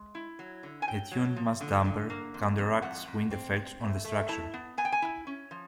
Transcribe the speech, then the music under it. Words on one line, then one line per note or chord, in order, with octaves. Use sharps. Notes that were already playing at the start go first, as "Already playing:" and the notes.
A tuned mass damper counteracts wind effects on the structure.
Already playing: G#3
E4
F#3
D3
G#5
F#3 G5
F#3
F3
D3
D3
A#3
F2
F2
F2 F#5
F2
C4
C4
A3
A3
E4 A5
B3
B3 G#5
G5
G#5
E4
C#4
F3